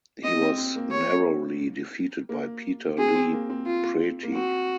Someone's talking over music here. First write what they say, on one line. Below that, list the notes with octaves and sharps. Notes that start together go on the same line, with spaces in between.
He was narrowly defeated by Peter Li Preti.
C4 D#5
C4
C4
A#3
C#5
A#3
C4 G#4
C4
A#3
C4
F4
A#3
C4 F#4